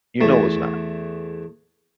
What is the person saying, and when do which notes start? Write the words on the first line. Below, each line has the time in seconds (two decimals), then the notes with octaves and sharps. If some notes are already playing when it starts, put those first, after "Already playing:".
you know it's not,
0.21 E2 A3